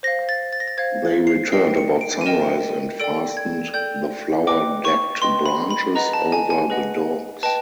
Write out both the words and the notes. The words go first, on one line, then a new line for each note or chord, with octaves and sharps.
They returned about sunrise and fastened the flower-decked branches over the doors.
C5 F5 A#6
A6
A6
A#6
A6
C5 F5 G#6
C7
A#4 D#5 G5 C7
C#7
D7
D#7
A#4 D#5 G5 E7
A4 D5 G5 D7
G#6
A4 D5 G5 G6
B4 D#5 G5 D6
C#6
B4 D#5 G5 C6
B5
B5
G#4 B4 D#5 F#5 A#5
A5
G#5
G#5
G#4 B4 D#5 F#5
B4 D#5 G5 A5